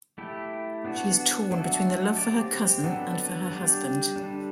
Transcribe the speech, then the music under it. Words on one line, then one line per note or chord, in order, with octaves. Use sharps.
She is torn between the love for her cousin and for her husband.
A3 E4 G4
B3 D4 F#4
F#3 A3 D4 F#4 A4
C4 G4 D5
F#3 B3 D4 A4
G3 D4 G4 D5
D3 G3 D4